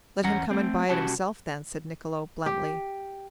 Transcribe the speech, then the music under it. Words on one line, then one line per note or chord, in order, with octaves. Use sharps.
"Let him come and buy it himself, then," said Niccolo, bluntly.
E2 C#4 F#5 A#5
A3 C4
C2 C#4 F#4 G4 A5
G4